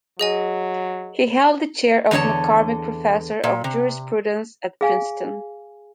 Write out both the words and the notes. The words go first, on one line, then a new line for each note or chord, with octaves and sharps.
He held the chair of McCormick Professor of Jurisprudence at Princeton.
F#3 G#4 D#5 G#5
E2 D3 E4 C#5 A5
A#2
C3
G#4 F5 G#5